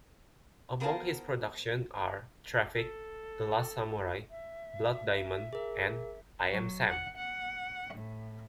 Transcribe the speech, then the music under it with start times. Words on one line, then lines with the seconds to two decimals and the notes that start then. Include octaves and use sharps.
Among his productions are "Traffic", "The Last Samurai", "Blood Diamond", and "I Am Sam".
0.80 B3 G#4 A#4 C5 F5 A5
2.75 A4
4.31 E5
5.53 G#4 A#4
6.51 F#3
6.88 F#5
7.17 F#5
7.93 A2